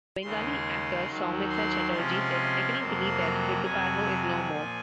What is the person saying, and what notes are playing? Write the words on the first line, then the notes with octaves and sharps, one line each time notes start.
Bengali actor Soumitra Chatterjee said I cannot believe that Rituparno is no more.
D#2 C#3 G#3 C6
D#2 D#3 F#3
C6
C3 F3 G#3 C#4 C6
F2 C3 F#3 A#3
A#5
F2 C3 F#3 G#5
A#2 F3